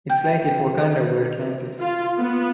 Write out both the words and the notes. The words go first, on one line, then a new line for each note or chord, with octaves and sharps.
It’s like if Wakanda were Atlantis.
G5
F4
B3